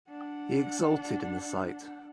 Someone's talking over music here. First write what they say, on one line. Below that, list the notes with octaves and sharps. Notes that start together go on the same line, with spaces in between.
He exulted in the sight.
D4 F#5